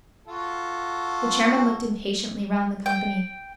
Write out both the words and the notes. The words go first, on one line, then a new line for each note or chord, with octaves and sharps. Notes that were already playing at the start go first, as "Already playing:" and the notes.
The chairman looked impatiently round the company.
F4 F#4 A4
G5